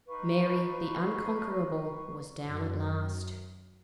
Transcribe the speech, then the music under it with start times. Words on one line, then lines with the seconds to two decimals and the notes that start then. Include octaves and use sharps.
Mary, the unconquerable, was down at last.
0.07 D#4 B4 F5 C#6
2.44 F#2